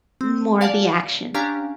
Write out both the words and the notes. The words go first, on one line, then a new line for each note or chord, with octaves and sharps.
more of the action.
C4
D5 F5 F#5 G#5 A5
C#4 D4 G4 F5 G#5 A#5